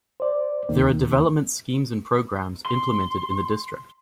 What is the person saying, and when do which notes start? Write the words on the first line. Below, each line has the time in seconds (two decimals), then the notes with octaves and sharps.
There are development schemes and programmes implemented in the district.
0.20 C5 D5
0.69 D#2 D#3 A#3
2.66 C6